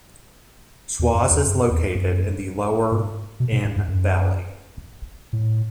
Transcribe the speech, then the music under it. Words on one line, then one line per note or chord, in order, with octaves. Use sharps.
Schwaz is located in the lower Inn valley.
E2
F#2
E2
F#2
E2
F#2
G#2
B2
B2
G#2
F#2
F#2
A2